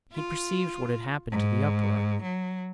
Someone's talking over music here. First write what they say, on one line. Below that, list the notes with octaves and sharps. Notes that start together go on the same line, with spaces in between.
He perceived what had happened to the uproar.
F4
G#2
F#3